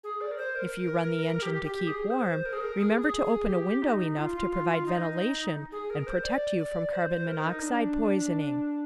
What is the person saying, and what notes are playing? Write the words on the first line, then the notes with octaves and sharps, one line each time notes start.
If you run the engine to keep warm, remember to open a window enough to provide ventilation and protect you from carbon monoxide poisoning.
G#4
D5
A#4
C5
A#4
G4
G4
G#4
C5
A#4
G#4
A#4
G#4
G#4
G#4
G4
D#4
F4
F4
F4
F4
D#4
G#4
A#4
C5
D5
D5
C5
C5
A#4
D#4
D4